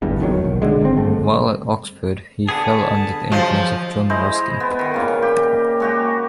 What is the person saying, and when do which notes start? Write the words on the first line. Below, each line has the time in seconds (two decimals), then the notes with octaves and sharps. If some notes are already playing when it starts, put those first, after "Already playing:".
While at Oxford, he fell under the influence of John Ruskin.
0.02 G1 E2 G2
0.20 F#1 E2 D#3 F#3
0.44 B1
0.62 D3 G#3
0.81 G#1 C4
0.97 G2 A3
2.49 D3 B3 G#4 A5
3.32 F3 F#3 G#3 C5
4.10 G#3 E4 C5 D#5
4.60 B3
4.79 D#3
4.94 A#2 C#3
5.22 G4
5.80 G#3 F#4 G4